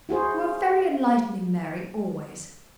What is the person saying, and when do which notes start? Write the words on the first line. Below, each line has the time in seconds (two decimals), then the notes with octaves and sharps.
You are very enlightening, Mary, always.
0.09 E4 F#4 G#4 C5